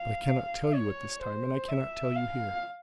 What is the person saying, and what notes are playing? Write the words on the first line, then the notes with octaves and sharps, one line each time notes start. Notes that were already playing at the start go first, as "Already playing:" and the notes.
But I cannot tell you at this time, and I cannot tell you here.
Already playing: F5
C#5
C5
E5
F5